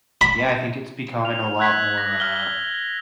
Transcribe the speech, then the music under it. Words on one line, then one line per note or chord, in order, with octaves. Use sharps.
Yeah, I think it's becoming a lot more, uh,
B5
F6 F7
E6 F#6 G#6 B6
A#6
F6 G7